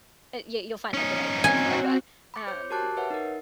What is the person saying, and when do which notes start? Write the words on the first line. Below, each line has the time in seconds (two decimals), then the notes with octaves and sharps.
eh yeah, you'll find, like, the right words for it, but, um,
0.94 C#4 D#4
1.44 C4 F#4 G#5
2.34 B5 D6 C#7
2.47 C5 C#5 G6
2.70 F#4 G4 A#4 A5 D6 F#6
2.97 B4 C#5 E5 F#5
3.10 D#4 A#4